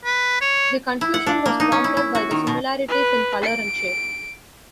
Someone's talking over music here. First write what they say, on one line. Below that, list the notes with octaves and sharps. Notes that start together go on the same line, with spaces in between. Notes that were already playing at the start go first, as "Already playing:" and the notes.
The confusion was prompted by the similarities in colour and shape.
B4
C#5
E4
F#5
D4
A#3
D#4
C#4
E4
E4
F#4
D#3
B2
B4
D7